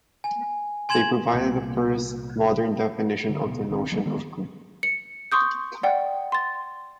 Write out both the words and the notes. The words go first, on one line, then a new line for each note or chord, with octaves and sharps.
They provided the first modern definition of the notion of group.
G#5
G#5 C6 G#6 E7 F#7
C2 A#2
D3
D1 B2
A#1 D#3 C4
C#2 F#3 A#3
D#3 G#3 B3
C#7
C6 C#6 D#6 G6
D5 F#5 G5
C6 A6